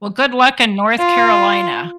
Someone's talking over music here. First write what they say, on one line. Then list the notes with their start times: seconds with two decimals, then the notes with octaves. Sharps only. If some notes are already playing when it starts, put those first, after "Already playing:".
Well, good luck in North Carolina.
0.99 F4